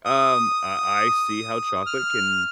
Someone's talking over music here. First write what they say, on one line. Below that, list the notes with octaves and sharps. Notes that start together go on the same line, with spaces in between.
um, I I see how chocolate can
D#6
F6